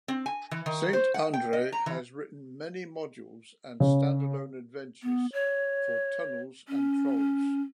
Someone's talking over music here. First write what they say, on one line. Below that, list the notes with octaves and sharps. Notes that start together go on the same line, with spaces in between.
Saint Andre has written many modules and stand alone adventures for "Tunnels and Trolls".
C4
G#5
E3
D#3
C5
F#5
G5
D#5
A#5
E3
C#3
B3
C#5
C#4